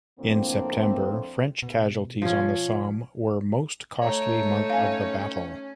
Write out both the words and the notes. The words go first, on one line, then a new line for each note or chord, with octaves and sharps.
In September French casualties on the Somme were most costly month of the battle.
F2 A2 D3 A#3 C4
B2
F3 C#4
A3 D#4 C#5 A#5
C#4 F5 G#5